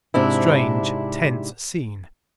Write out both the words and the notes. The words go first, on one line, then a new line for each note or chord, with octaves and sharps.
Strange, tense scene.
G#2 C3 D4 E4